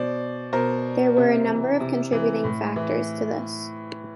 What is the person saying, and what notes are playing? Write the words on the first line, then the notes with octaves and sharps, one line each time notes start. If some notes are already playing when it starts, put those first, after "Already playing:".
There were a number of contributing factors to this.
Already playing: B2 C5 D5
B2 A#4 C5
C3
E3
C3
E3
A2
E3